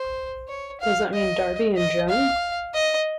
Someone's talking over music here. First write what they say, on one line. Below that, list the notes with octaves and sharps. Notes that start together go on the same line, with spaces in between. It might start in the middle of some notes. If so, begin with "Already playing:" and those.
Does that mean Darby and Joan?
Already playing: C5
C#5
F5
D#5
D#5
F5
D#5